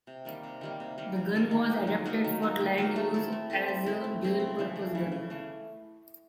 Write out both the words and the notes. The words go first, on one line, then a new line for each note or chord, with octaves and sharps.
The gun was adapted for land use as a dual-purpose gun.
C3
D#3 G3 A#3
C3
D#3 G3 A#3
C3
D#3 G3 A#3
C3
D#3 G3 A#3
D#3
F#3 A#3 D#4
D#3
F#3 A#3 D#4
D#3
F#3 A#3 D#4
D#3
F#3 A#3 D#4
A3
C4 E4 A4
A3
C4 E4 A4
A3
C4 E4 A4
A3
C4 E4 A4
C#3
E3 A3
C#3
E3 A3
C#3
E3 A3